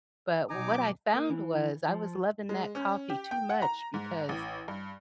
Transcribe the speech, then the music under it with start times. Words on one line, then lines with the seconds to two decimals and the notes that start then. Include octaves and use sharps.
But what I found was, I was loving that coffee too much, because,
0.50 B2 F#3 D#4 G#5 A#5 D6
1.14 A#3
1.30 E3
1.88 F3
2.49 G#3
2.75 C#4
3.10 G4
3.31 G5
3.50 F#5
3.62 A#5
3.94 G#2
4.29 A1
4.68 G2